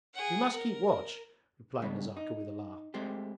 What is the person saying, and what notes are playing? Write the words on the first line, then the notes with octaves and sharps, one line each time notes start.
You must keep watch,' replied Nazarka with a laugh.
G#4 F#5
A#4
G2 C#3 G#3 B3
D#4
G#3 A3 C4 G4